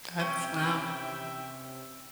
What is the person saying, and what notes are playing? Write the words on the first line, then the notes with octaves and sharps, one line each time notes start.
That's wow.
C3 C#4 E5 G5